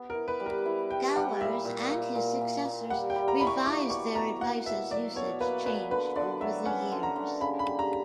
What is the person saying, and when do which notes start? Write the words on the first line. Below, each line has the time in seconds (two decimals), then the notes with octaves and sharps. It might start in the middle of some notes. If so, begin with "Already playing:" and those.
Gowers and his successors revised their advice as usage changed over the years.
Already playing: B3
0.10 A#4
0.15 E4
0.28 B4
0.40 G3
0.46 A#4
0.66 E4
0.90 G3 G5
1.15 G3 F#5
1.40 A#2 E5
1.65 A#2
1.90 A#2
2.15 A#2
2.41 A#2
2.65 A#2
2.90 G3 F#5
3.10 G5
3.16 G3
3.28 A#5
3.41 E4 B5
3.47 C#6
3.65 E4 D6
3.90 B2 C#6
4.15 B3 A#5
4.41 A#3 F#5
4.65 B2 E5
4.90 F#3 D5
5.16 B2 C#5
5.40 A#3 B4
5.66 B2 B4
5.91 D3 B4
6.15 D3 D5
6.41 F#3 E5
6.65 C#4 F#5
6.92 D3
7.03 A#5
7.16 D3
7.41 C#3 B5
7.59 B5
7.66 G3
7.79 A#5